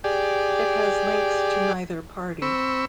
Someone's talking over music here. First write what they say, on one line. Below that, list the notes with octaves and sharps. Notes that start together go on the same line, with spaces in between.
It has links to neither party.
G4 G#4 D5
C4 B5 C#6 E6